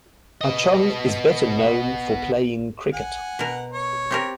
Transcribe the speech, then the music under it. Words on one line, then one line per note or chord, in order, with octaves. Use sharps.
Achong is better known for playing cricket.
B3 D#5
F#5 G#5
B2 A#4
C#5
C4 G4 A#4